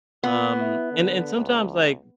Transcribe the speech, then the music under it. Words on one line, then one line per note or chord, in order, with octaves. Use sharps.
Um, and and sometimes, like,
B3 F4
E4
D3
C#2